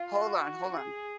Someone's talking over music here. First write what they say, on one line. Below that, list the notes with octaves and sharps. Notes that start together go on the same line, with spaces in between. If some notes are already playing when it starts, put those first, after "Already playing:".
Hold on, hold on.
Already playing: F4
F#4
G#4